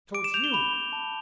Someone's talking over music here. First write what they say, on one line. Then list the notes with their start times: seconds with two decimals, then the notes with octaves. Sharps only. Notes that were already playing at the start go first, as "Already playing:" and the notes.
"So it's you!"
0.14 D6 D7
0.24 E7
0.34 G6 F7
0.44 G7
0.54 B5 F7
0.73 B5
0.93 A5